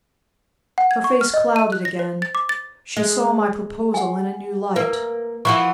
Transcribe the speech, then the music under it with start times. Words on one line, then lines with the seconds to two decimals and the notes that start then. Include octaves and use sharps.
Her face clouded again--she saw my proposal in a new light.
0.78 F#5
0.91 G#6
1.04 C#6
1.21 F6
1.34 D#5
1.56 D#7
1.72 F#6
1.85 A#6
1.99 C5
2.22 A6
2.35 D6
2.49 A6
2.97 G#3
3.94 F#5 G#5
4.76 A#3 A#4 B4
5.45 E3 F3 F#4 C#6